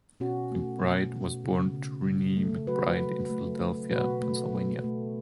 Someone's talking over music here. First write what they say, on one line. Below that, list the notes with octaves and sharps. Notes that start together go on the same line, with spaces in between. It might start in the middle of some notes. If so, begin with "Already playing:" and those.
McBride was born to Renee McBride in Philadelphia, Pennsylvania.
B2 C#4 F#4
A3
B2
B2
C#3
C#3
C#3
A3
F#3 F#4 B4
F#3
A3
A3
B2 F#4 B4
A3
B2
A3